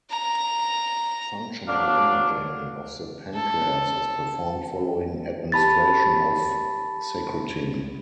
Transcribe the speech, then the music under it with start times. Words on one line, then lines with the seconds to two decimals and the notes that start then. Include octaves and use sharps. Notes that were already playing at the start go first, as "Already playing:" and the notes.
Functional imaging of the pancreas is performed following administration of secretin.
0.10 A#5
1.68 F#3 D4 F5
3.35 A4
5.52 G4 A5 B5 A6